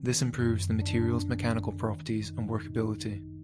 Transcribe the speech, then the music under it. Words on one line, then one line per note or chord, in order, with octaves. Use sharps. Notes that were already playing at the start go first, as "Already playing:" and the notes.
This improves the material's mechanical properties and workability.
Already playing: D#3 C4
F#2
G#1 D4
G#1
D#3
F#2 D#4
G#1 D#4
G#1